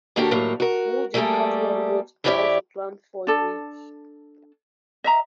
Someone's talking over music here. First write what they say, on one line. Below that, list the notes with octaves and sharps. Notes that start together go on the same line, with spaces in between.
Mule deer, cattle, and goats browse the plant foliage.
D#2 A#3 D4 F#4 G4 A4
D#2 A2 F#3 A#3
F#4 A#4
G3 A3 A#3 F#4 G#4 A4
F2 E4 G4 C#5 D5 E5
D4 A4
D#5 E5 A#5